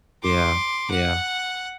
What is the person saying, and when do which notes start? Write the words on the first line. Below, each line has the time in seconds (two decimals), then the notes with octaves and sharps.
Yeah. Yeah.
0.23 C6 D6
0.90 F#5